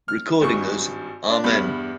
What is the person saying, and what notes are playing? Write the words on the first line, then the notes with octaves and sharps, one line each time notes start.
Recording as Amen!
F6
G#1 G2 C#6
D4
E2 G2 B5